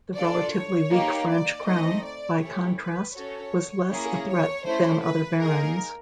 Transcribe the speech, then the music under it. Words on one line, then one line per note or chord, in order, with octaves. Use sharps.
The relatively weak French crown, by contrast, was less a threat than other barons.
D4 F4 A4 D5
C#5
A#3 D#4 G4
D5
A3 C4 D#4 D#5
D5
A3 C#4 E4 G4 C#5
B4
C#4 F#4 A4 C#5
A#3 C#4 E4 G#4
C#5
A3 C#4 E4 C5
B4
A#3 D#4 G#4 A#4